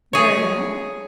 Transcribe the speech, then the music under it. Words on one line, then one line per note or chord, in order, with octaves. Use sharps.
'Very well.
G#4 C#5